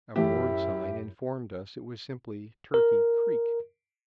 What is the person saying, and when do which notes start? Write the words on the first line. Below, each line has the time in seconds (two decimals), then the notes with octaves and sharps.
A board sign informed us it was simply Turkey Creek.
0.16 F#2 A2 E3 A3 E4 G4 E5
2.74 A#4